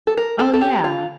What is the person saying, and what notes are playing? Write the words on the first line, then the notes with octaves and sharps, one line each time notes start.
Oh, yeah.
A4
A#4
A4
A4
G4
F4